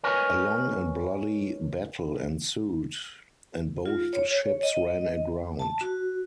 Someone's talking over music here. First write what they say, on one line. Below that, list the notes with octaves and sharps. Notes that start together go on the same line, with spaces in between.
A long and bloody battle ensued, and both ships ran aground.
A#4 B4 C#5 D#5 G#5
F4
C#5
D#5
A5
F#4